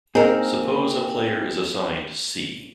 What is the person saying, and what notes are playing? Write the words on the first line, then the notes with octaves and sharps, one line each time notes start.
Suppose a player is assigned "C".
A#3 C4 D#4 G#4 A#4